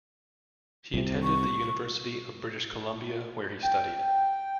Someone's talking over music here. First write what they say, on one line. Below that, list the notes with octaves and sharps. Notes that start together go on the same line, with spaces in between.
He attended the University of British Columbia where he studied.
C2 C3
C#6
G5